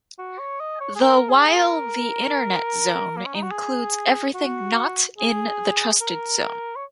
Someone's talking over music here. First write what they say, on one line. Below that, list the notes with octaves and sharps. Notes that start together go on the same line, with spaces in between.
The while the "Internet zone" includes everything not in the trusted zone.
F#4
C#5
D#5
C#5
G#4
A#4
G#4
G#4
A#4
A#3
C#4
D#4
F#4
G#4
F#4
G#4
A#4
C#5